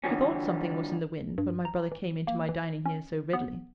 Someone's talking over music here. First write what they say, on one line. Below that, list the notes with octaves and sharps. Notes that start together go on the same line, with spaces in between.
She thought something was in the wind, when my brother came into my dining here so readily.
D3 E3 F3 G3 C#4
G2
A#5
E3
A#3
E3
C#4
B3